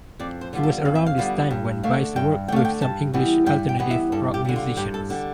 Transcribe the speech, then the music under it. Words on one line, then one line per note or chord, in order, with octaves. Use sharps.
It was around this time when Bice worked with some English alternative rock musicians.
F2 D5
C5
D3 G3 B3 F4
A4
F2 F5
E5
F5
D3 G3 B3 F4
G2
D3 A3 F5
G2 G5
D3 A3 F5 G5
G5
G2 A5
E3 G3 B3
G2 G5
G5
E3 G3 B3
E5
G2 A4
G4
D3 G3
F4
G2 G4
A4
D3 G3 G4